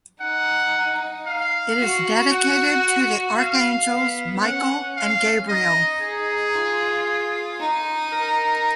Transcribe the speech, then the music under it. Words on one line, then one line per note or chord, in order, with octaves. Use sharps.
It is dedicated to the archangels Michael and Gabriel.
D#4 F#5
F5
F#4
F#5
F5
B3
C#4 F#5
F5
D#4 D#5
G#4
F4
D#4
A#4